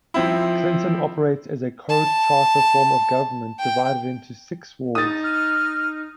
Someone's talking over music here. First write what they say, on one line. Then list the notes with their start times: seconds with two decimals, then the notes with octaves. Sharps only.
Clinton operates as a Code Charter form of government, divided into six Wards.
0.14 F3 C4 E4
1.89 A5
3.59 G5
4.95 D#4 D#6 A6
5.23 F6